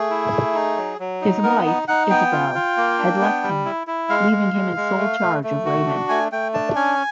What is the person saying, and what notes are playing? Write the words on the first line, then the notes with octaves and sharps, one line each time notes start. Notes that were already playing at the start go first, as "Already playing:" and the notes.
His wife, Isobel, had left him, leaving him in sole charge of Raymond.
Already playing: A3 G#4
E4
A3
D#4
F#3
F#3
D#4
B3 A#4
D#4
D#4 F#5
B3 G5
F4
F4
A#3
D4
B3
G3
E4
E4
G#3 F5
G#3
G#3
G#3
A3
A3
A3
F#4
D4
A3 G#5
A3 G5
D4 A5
C#4 G#5